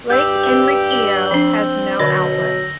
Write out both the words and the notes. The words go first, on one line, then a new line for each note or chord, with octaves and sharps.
Lake Enriquillo has no outlet.
G2 G4 E6 G6
B4
F#7 G7
F3 C4 D4
B2 D3 F#3 D5 A#6